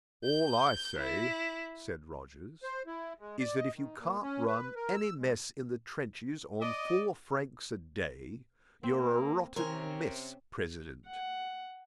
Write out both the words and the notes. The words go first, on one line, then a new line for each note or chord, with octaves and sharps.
"All I say," said Rogers, "is that, if you can't run any mess in the trenches on four francs a day, you're a rotten mess president."
G6
E4
C5
E4
G#3
D5
D#5
D#3
A#2
C#4
B4
A#4
E6
G#3
D5 D#5
A#3 C4
C3 C4 C#4 A#4 C#5
F#5